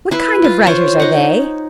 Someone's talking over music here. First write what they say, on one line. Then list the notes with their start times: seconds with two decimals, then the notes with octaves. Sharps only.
What kind of writers are they?'
0.11 E4 B4
0.44 F4
0.67 C5 C#5
1.00 D#4 F#5